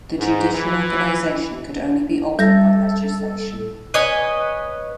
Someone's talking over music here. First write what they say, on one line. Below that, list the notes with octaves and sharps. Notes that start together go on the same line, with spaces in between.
The judicial organization could only be altered by legislation.
G#2
E3
G3 A4 A#6
B4 C#5 D#5 G#5